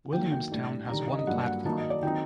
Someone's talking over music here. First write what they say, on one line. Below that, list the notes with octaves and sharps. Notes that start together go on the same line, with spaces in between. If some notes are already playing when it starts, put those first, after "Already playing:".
Williamstown has one platform.
D#3 F#3 A#3 G5
G5
A2 G3 D4
D#3 G3 D4 A#5
D#5
D#5
G2 F#3 A#3 F#5
F#5
D#3 F#3 A#3 D#4 A5
D#5
D5
D#3 F#3 C4 D#4 G5